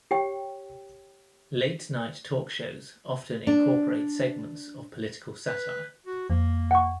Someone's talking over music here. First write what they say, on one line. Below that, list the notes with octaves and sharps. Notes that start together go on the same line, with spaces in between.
Late night talk shows often incorporate segments of political satire.
G4 C#5 G5
D4
B4
F#4
F2 A#3
F#5 C#6